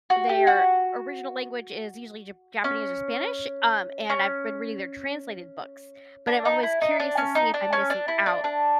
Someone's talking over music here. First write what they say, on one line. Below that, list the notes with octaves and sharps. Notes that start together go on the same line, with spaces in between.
their original language is usually Jap Japanese or Spanish, um and I've been reading their translated books, but I'm always curious to see if I'm missing out
F#4
G4
F#4
C#4
C#4
D4
D#4
E4
D#4
D4
C#4
D#4
D4
C#4
D4
E4
D4
D4